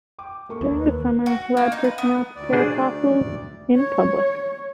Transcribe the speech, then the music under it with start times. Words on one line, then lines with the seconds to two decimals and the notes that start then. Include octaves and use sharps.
During the summer, lab personnel prepare fossils in public.
0.18 G5 D6
0.49 A3 A#3 C#6
0.61 D#2
0.78 B4
1.26 F#4
1.57 A#3
1.72 D#4
1.84 B4
1.98 B3
2.36 D2 D5
2.53 D4 G#4 C5
3.76 C#5